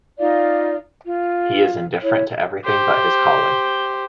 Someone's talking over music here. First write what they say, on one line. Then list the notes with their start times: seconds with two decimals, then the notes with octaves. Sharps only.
He is indifferent to everything but his calling.
0.20 D#4 F4 D5 F5
1.06 F4
2.02 E4 C#5
2.65 G4 C5